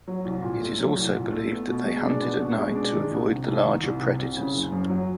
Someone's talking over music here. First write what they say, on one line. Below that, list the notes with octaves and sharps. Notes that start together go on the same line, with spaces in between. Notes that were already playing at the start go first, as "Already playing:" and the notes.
It is also believed that they hunted at night, to avoid the larger predators.
F#3
C2
A#2
A3
F#3
C2
A#2
A3
B3
B2
G#3
D4
B3
B2
G#3
D4
D#3
C2
C3
C2
D#3
C2
C3
C2
C#3
F#1
F#2
F#3